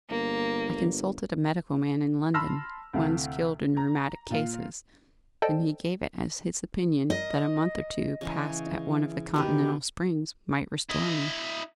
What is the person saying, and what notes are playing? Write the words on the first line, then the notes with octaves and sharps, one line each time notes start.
I consulted a medical man in London, one skilled in rheumatic cases, and he gave it as his opinion that a month or two passed at one of the continental springs might restore me.
G1 A#3
A5 B5 C6 E6 F6 A#6
D2 C3 A3 E4 F5 G5
A#5
A#2 F4 F5
A4 C5 D5 D#5 G5 A5
A#4 D#5
C#3 E3 G#3 C#4
B2 D#3 G4 B4
E4 D#5